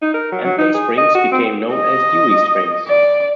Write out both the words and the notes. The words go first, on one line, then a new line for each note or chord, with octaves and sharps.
Empey Springs became known as Dewey Springs.
D#4
A#4
F#3
F#3
D#4
G#4
D#5
F#4
C4
D#5
D5